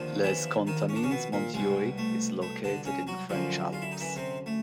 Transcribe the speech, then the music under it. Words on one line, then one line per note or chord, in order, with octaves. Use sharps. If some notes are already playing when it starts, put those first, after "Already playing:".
Les Contamines Montjoie is located in the French Alps.
Already playing: D#2 D3 F3
E3 E4
D#3 D#4
C#4
D4
C#3 C#4
B2 B3
A#2 A#3
C2 B2 G#3
A3
A3
D3 D4
C#3 C#4
F#3 F#4
F#2 D3 F3 F4
F4
E4
D#4
E3 E4
C3 C4
A3